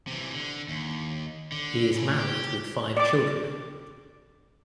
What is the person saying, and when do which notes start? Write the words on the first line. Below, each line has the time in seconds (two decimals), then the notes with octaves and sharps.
He is married with five children.
0.07 C3 E3
0.34 D3
0.68 D#2
1.52 D3
1.91 A2 C#3
2.18 G4
2.97 D5 D6